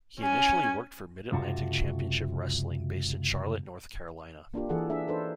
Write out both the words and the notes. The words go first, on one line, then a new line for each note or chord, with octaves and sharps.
He initially worked for Mid Atlantic Championship Wrestling based in Charlotte, North Carolina.
C#4 G#5
C#2 F#2 C3 F4 F#4 A5
A#3 D4 F4 G4
E3 G#4 A4 F#5
D4 G#4 E5
D4 D#4 A4 B4 C5